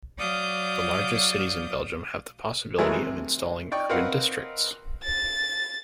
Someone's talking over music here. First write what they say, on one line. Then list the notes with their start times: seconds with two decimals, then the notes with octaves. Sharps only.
The largest cities in Belgium have the possibility of installing urban districts.
0.17 F#3 D5 F5 D#6 G6
2.78 D#3 E3 F#3 G#3 A3 E4
2.96 C3
3.71 D#4 D5 G5 C#6
3.89 C4 A#4 B4 D#5 F5 F#5
5.04 A6